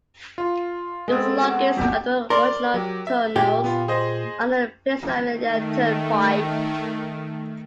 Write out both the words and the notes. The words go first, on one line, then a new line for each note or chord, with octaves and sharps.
It was the longest of the original tunnels on the Pennsylvania Turnpike.
F4
G#3 B3 C4 G#4 A4
F#4
G4 E5 G5
A#4 D5 C6
F#3 G4
E5
A#2 G4
B3 F4
G#4 C5 D#5
D#3 A3